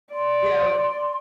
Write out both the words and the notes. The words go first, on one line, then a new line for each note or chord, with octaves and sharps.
Yeah, we
D5 C6